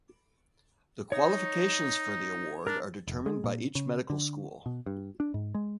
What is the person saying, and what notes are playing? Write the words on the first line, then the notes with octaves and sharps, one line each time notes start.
The qualifications for the award are determined by each medical school.
D#4 C#5
D4 A#4
F1
G#3
A#2
C#3
D3
B2
G2
D4
G#2
G#3